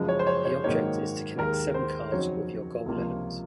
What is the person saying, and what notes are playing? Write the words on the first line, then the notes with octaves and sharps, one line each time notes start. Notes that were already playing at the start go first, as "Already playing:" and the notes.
The objective is to connect seven cards with your goal element.
Already playing: F#1 F#2 C#3 F3 G#3
C#5
C5
C#5
C#5
G#2 D#3 F#3 A#3 D#4 C#5
D#2 D#3 G#3 A#4
C5
F2 C#3 F#3 C4 D#4 C#5
C#2 C3 F3 A#3 F4